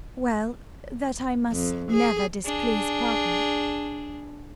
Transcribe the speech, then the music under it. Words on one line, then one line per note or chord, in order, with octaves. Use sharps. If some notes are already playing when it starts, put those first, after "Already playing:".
"Well, that I must never displease papa."
F2
G#4
D4 G#4